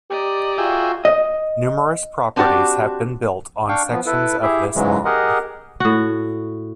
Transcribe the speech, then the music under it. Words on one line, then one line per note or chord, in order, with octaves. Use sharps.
Numerous properties have been built on sections of this line.
G4 D5 D#5 A#5
F4 F#4 G#4 E5 G5
D#5
C4 D4 D#4 F#4 G4 D5
D4 F5 G5 C#6
F3 B3
E4 A4 B4
E4 G4 G#4 E5
G#2 C#3 E3 F#3 G#3
G4 G#4 A#4 D#5 F#5
A2 F#4